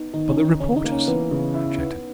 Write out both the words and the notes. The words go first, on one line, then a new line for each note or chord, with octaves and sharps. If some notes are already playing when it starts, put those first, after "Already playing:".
"But the reporters," I objected.
Already playing: B3 D#4
D#3 D#4
C#4
D#3
D#4
C#3 C#4
D#4
A#3
C#4
E3 B3
C#3
E4
B3